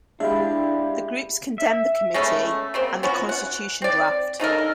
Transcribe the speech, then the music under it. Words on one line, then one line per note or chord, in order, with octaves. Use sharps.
The groups condemned the Committee and the constitution draft.
G#3 D4 E4 G4 E5 F5 B5
E5
G#3 A3 B3 C#4
C#3 A#3 C4
B3 C#4 F4 F#4
F#5
C4 D5
C#3 D#4 A4 A#4